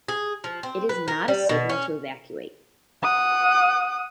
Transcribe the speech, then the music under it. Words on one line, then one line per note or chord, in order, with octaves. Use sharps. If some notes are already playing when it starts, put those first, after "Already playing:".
It is not a signal to evacuate.
G#4
F3
C4
B4
A#4
G3
B2
C#4
F#5 D#6